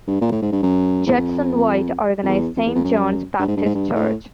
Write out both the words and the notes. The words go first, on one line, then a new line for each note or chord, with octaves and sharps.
Jedson White organized Saint John's Baptist Church.
G2
A#2
A2
G#2
G2
F#2
E2
F2
F2
E2
F2
E2
F2
F#2
G2
G#2
G2
G#2
G2
A2